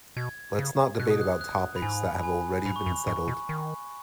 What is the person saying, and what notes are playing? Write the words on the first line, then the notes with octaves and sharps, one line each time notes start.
Let's not debate about topics that have already been settled.
B2 G#6
C#3
B2 F#6
D#6
F#6
F#6
B5
G#2 G#5
B5
G#5
G#2 B5
C#6
F#2 B5
G#2 C#6
B2
D#3